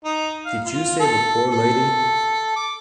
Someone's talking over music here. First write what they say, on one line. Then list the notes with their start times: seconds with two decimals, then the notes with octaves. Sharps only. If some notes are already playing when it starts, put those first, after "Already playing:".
Did you save the poor lady?
0.04 D#4
0.46 F5
0.66 F4
1.00 A4
1.52 A4
2.56 D6